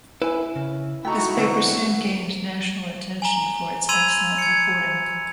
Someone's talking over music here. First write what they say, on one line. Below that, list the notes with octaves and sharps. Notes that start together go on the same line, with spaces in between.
This paper soon gained national attention for its excellent reporting.
E4 B4 G#5
C#3
A3 D#4 E4 F#4 G5 A#5
B2 D3 E3 C4 F#4
G#5 A#5
B5 C6 E6 G#6 D#7 F7
G#6 C#7